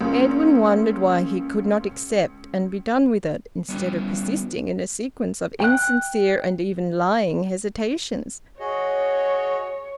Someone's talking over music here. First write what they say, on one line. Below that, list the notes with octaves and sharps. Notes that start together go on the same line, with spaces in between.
Edwin wondered why he could not accept and be done with it, instead of persisting in a sequence of insincere and even lying hesitations.
C#2 A#3 C#4 F4
G3 B3 C#4 D4 E4 F#4
G5 F#6
F#4 G#4 C#5 D#5